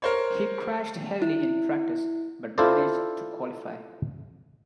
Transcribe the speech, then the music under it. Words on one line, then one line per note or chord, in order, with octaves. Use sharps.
He crashed heavily in practice, but managed to qualify.
A#4 C5 C#5
E4
E4 F4 A4 C5 D5